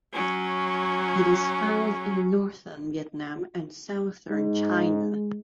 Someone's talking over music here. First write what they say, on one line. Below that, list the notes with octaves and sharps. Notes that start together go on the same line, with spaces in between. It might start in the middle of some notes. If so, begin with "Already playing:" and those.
It is found in northern Vietnam and southern China.
F#3 C#4
G#3 D#4